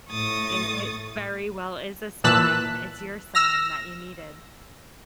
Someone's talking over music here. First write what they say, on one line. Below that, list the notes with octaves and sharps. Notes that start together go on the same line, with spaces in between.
It it very well is a sign. It's your sign that you needed.
A2 C#6 D#6 A6
A#2 E3 A5 E6 F#6 B6
E6 F6 A#6